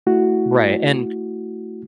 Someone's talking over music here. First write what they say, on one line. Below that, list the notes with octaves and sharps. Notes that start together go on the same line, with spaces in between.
Right, and,
A3 E4 F#4